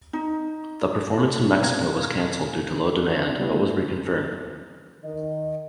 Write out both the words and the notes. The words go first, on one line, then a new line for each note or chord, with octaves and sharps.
The performance in Mexico was canceled due to low demand but was reconfirmed.
D#4
B2 C4 F5 A#5 G#6
C#3 G3 A3 B3 E4
D#3 D#5